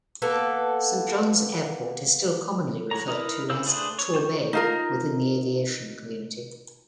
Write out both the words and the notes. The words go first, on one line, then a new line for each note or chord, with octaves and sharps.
Saint John's Airport is still commonly referred to as "Torbay" within the aviation community.
A#3 B3 A4
F#3 C#5 A#5
D#4 E4 A#4 B4
C#3 E4 F5 E6 G6
A3 D4 G#4 B4 C5
C#5
F4 C5 C#6 G6
D#4 F4 A#4